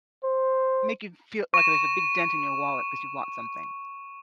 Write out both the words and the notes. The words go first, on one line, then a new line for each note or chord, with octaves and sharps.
make you feel like there's a big dent in your wallet ‘cause you want something,
C5
C#6 E7